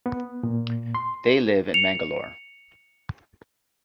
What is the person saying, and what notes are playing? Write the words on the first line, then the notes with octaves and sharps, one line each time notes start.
They live in Mangalore.
B3
A#2
C6
C#7 F7